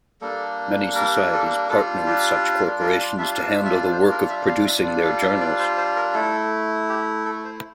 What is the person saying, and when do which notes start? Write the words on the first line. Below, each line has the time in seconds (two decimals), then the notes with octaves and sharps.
Many societies partner with such corporations to handle the work of producing their journals.
0.21 G3 A#3 D4 A4
0.95 A#4
1.33 A4
1.69 G3 D4 F4 A4
2.07 G4
2.63 A#4
2.80 A#4
3.00 D5
3.18 G3 D4 F4 E5
3.36 F5
3.54 E5
3.65 E5
3.73 D5
3.92 C5
4.11 A#4
4.30 E5
4.48 F5
4.66 G3 D4 F4 E5
4.85 D5
5.04 A4
5.22 E5
5.40 D5
5.59 C5
5.77 C5
5.96 A#4
6.14 A3 E4 A4
6.89 G4
7.25 A4
7.44 C5